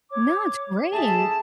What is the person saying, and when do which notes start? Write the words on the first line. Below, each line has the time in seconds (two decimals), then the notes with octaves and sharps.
No, it's great.
0.10 C#5 D6
0.93 G#4 A4 E5 A5